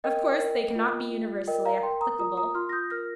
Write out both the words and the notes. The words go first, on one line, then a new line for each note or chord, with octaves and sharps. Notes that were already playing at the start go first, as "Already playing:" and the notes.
Of course, they cannot be universally applicable.
A#4 D#5 G5
A#4
F4
F4
A#4 D#5 G5
F5 A#5
A#4 G5 C6
A#5 D#6
F4 A#5 D#6
A#5 D#6
F4 C6 F6
A#6
D#6 G6
A#4 F6 A#6